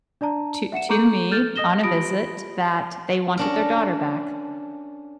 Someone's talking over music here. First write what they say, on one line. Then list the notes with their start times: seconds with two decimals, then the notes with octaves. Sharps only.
to to me on a visit that they wanted their daughter back.
0.21 D4 D5 A5 A#5
0.72 E5 F#5 C#7 E7
0.89 A4 A#5 C#6 D6 G6 F#7
1.31 A4 F6 G6 A6
1.56 D#5 D#6 A#6 E7 G7
1.83 F4 G4 B5 D#6 A#6 D7
3.37 C#4 D4 A#4